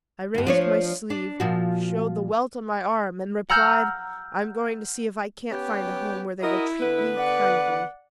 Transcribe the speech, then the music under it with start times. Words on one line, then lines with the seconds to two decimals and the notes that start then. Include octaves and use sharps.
I raised my sleeve, showed the welt on my arm, and replied, "I am going to see if I can't find a home where they will treat me kindly."
0.34 D2 G2
0.47 F3 D4 C#5
1.10 D4
1.40 A#2 F3 F#4
3.49 F#5 A#5 E6 F6 G6
5.51 B3 C#4 G4
6.42 E4 F#4 A#4 D#5
6.81 D3 B3 B4
7.18 D5 F#5